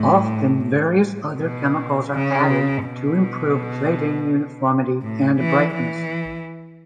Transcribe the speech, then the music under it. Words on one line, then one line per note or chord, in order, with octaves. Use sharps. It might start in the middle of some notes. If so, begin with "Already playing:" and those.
Often various other chemicals are added to improve plating uniformity and brightness.
Already playing: A2
B2
C#3
B2
A2
E3
E3